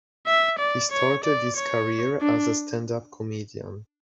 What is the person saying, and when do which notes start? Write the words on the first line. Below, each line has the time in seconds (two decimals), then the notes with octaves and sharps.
He started his career as a stand-up comedian.
0.27 E5
0.59 D5
0.92 C#5
1.24 D5
1.57 C#5
2.21 D4